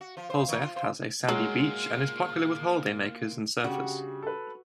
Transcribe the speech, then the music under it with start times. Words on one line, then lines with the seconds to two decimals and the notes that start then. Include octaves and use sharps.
Polzeath has a sandy beach and is popular with holiday-makers and surfers.
0.01 F#4
0.17 F3
0.30 C5
0.48 D#3
0.61 F4
0.76 C5
1.28 F#3 G#3 A#3 F4 F6
3.64 C#3 G3 D4 F#4 G4
4.23 A4 B4